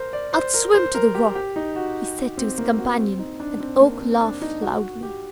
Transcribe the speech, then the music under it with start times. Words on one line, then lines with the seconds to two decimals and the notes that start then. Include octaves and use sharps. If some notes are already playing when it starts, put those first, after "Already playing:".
"I'll swim to the rock!" he said to his companion, and Oak laughed loudly.
Already playing: A#4 C5
0.13 D5
0.33 C5
0.54 A#4
0.75 C5
0.95 A#4
1.15 G4
1.35 G4
1.56 D#4
1.76 F#4
2.38 C4
2.58 A#3
2.78 F#4
2.98 C4
3.19 D#4
3.40 D4
3.60 C4
3.80 A#3
4.01 C4
4.21 D4
4.42 D#4
4.62 F#4
5.03 G4